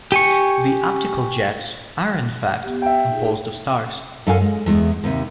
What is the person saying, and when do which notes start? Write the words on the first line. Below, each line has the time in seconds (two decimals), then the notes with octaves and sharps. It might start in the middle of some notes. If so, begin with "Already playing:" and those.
The optical jets are in fact composed of stars.
0.12 G4 G#5 C#6
2.63 B3 G4
2.82 E5 G5
3.10 D#4 F4 G#4
4.27 F#2 A4 F5 F#5 G#5
4.41 G#3
4.66 E2 G#3
5.04 D#2 C3